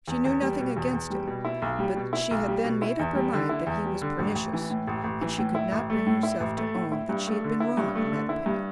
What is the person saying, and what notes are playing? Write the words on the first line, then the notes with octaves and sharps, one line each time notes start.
She knew nothing against him; but she had then made up her mind that he was pernicious, and she could not bring herself to own that she had been wrong in that opinion.
E2
E2
G3
B2
E2
E2
G3
B2
E4
B1
G3
B2
E4
B1
G3
B2
E4
E2
G3
D3
E4
E2
G3
D3
A1
A1
E3
A2
A1
A1
E3
A2
E4
A1
A3
A2
E4
A1
A3
A2
E4
G2
A3
D3
E4
G2
A3
D3
E4
G2